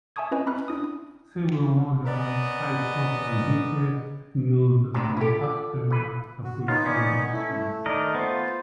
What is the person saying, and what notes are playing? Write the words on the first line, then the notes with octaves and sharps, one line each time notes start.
Several modern high-profile guitarists use the Starcaster as a preferred instrument.
E5 G#5 A5 C#6 D#6 G#6
C#4 E4 B4 D#5 G#5
C4 C#4 A#5 B5 F6 F#6
D4 E4 D#6
B3 C#4 A#4 D5 D#5
D2 A2 C3 D4
E4 F4 G4 A4
D5
E3 B4
F#4
D#3 B3 D#4 F4 C#5
C#4 D5
A3 E4
D#3 A#4 D5 D#5
B3 F4 C5